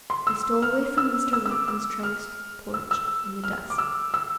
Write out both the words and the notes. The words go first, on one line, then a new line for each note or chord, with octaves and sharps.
He stole away from Mr. Larkin's trellised porch, in the dusk.
C6
E6
F6
E6
E6
E6
D6
E6
F6
E6
E6
F6
D6
E6
E6